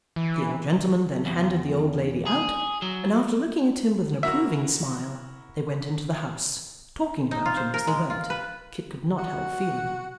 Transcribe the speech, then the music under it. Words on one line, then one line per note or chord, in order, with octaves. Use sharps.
The old gentleman then handed the old lady out, and after looking at him with an approving smile, they went into the house--talking about him as they went, Kit could not help feeling.
E3
E2
G#4
F#3
E4 F#4 A#4 E5
D#4
F4
C5
A#4
G#3
F4
B4
F#4